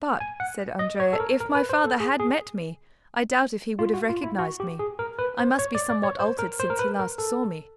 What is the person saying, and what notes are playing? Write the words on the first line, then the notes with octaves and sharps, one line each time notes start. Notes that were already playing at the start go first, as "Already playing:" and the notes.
"But," said Andrea, "if my father had met me, I doubt if he would have recognized me; I must be somewhat altered since he last saw me."
G#5
F#5
D#5
C#5
A4
A#4
A#4
B4
C5
A4
G#4
G#4
F4
F#4
F4
E4
F#4
G4
G#4
A#4
B4
C5
C#5
D5
D5
C#5
C5
A#4
C5
A#4
B4
A#4
A4